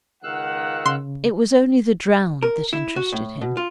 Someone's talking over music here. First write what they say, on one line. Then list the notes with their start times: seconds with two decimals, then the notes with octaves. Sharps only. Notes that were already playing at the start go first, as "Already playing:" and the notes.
It was only the drowned that interested him.
0.23 C#2 D#3 F5 F#5 E6 F#6
0.86 C#3 C6
2.43 A#4
2.73 E4
2.96 F#4
3.12 A2
3.41 B2
3.57 F4